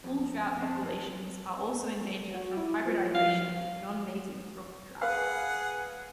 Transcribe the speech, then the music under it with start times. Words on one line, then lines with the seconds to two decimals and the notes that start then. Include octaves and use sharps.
Bull trout populations are also in danger from hybridization with non-native brook trout.
0.04 F2
0.61 C4 C5 A5
2.34 F#4
2.57 E4
2.85 F3
3.14 F5
5.01 G#4 B4 F5 F#5